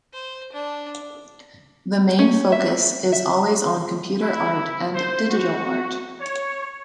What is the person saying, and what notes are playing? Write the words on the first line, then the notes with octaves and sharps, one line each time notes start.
The main focus is always on computer art and digital art.
C5
D4
C#4
E5
E5
E4
C5
F#4
C#5